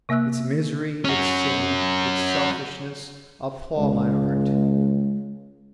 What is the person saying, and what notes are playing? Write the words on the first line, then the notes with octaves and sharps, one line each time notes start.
Its misery, its sin, its selfishness, appall my heart.
C3 A#3 E5 E6 F#6
C#4 F#4
C#2 G#3